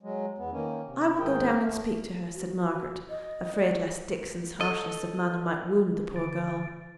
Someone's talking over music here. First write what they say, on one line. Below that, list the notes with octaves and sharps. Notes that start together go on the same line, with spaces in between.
'I will go down and speak to her,' said Margaret, afraid lest Dixon's harshness of manner might wound the poor girl.
F#3 G#3
E2 B3
D#3 A#3 C#4
C3
G#2 D#3 G#4 A#4 G5
A3
F#4
D#5
D5
A4 D#5
D3